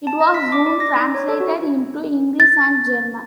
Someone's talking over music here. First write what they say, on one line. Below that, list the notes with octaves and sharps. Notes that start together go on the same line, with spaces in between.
It was soon translated into English and German.
A5
D#5
B6
D6
D5
A#6
D#4
C#5
A4
F#4
A6